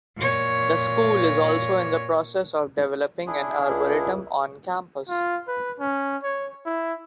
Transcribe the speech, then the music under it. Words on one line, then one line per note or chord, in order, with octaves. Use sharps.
The school is also in the process of developing an arboretum on campus.
A#2 C#5
D4 E4 G#4
C#2
F4
B4
C#4
C#5
E4